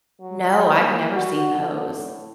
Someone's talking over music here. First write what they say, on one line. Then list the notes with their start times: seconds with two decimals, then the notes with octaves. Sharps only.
No, I've never seen those.
0.21 F#3
0.76 A#3
1.14 F#4
1.59 D3
1.94 A2